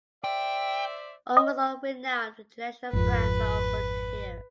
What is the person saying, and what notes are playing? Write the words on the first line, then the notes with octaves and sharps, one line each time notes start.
Almost all renowned international brands are offered here.
C5 D5 E5 G5
D#5
G#1 F2 B4